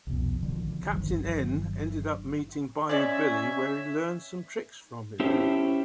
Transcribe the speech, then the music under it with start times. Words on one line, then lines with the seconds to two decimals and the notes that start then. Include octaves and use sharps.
Captain N ended up meeting Bayou Billy where he learned some tricks from him.
0.07 C2 F2 B2
0.43 B1 D3 D#3 F3
0.92 G1 D#3 F#3
2.89 G#3 C#4 D5 E5 G#5
5.20 C#4 E4 G4 A4 C5 E5